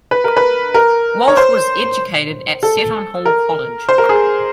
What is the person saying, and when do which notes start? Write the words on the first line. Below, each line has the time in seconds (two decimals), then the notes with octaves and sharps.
Walsh was educated at Seton Hall College.
0.11 B4
0.24 A#4
0.37 B4
0.74 A#4
1.28 C#5
1.37 C5
2.63 A4
3.25 A#4
3.89 C5
3.98 A#4
4.09 G#4